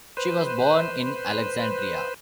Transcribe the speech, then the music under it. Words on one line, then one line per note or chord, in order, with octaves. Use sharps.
She was born in Alexandria.
B4 C5